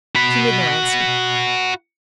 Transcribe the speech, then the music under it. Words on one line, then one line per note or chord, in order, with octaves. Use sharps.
She made no answer.
F#4 B5